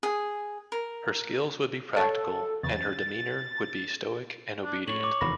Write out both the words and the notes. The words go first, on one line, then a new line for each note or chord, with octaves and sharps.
Her skills would be practical and her demeanour would be stoic and obedient.
G#4
A#4
A4 C#5 A5
E2 C#3 A6
D4
A2 C#5 F#7
D6
F1 E2 D#3 B5 A#6